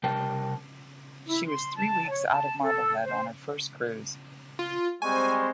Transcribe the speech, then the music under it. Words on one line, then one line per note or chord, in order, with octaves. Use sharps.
She was three weeks out of Marblehead on her first cruise.
C3 G3 A#4 G5 A5
E4
C6
A5
C#5
A5
A4
C5
F4
G3 G#3 C4 C5 G#5 C#6